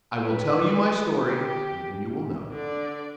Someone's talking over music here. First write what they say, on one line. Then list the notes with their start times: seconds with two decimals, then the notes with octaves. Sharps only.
"I will tell you my story, and then you will know."
0.22 B4
1.18 G4
2.51 D3 D5